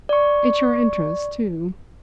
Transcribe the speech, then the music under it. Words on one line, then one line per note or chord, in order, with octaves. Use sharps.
"It's your interest, too."
D5 C#6